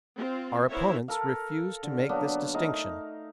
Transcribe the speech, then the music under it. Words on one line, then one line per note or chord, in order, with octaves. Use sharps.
Our opponents refuse to make this distinction.
C4 F4
B3 E4 A#4 C5 C#5 E5
A4 A#4 F5
D3
F#3 A#3 B3 D4
A3 D#4 A#4 F5